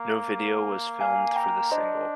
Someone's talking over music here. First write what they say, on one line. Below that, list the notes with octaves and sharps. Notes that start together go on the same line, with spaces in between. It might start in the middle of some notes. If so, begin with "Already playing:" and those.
No video was filmed for the single.
Already playing: A#3
F5 G#5
G5 A#5
D4 C5 D#5